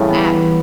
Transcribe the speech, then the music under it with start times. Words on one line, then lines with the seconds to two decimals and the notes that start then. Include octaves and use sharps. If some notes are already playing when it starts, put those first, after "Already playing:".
at n
Already playing: A2 C#3 E3 G3
0.10 B3